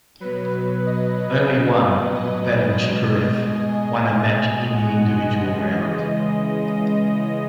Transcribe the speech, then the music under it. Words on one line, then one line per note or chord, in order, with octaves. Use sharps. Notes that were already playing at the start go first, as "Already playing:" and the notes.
Only one, Vadim Chikarev, won a match in the individual round.
B2 F#3 B4
D#5
D#5
B2 G#3
G#5
F#5
C#3 E3 G#3 D#5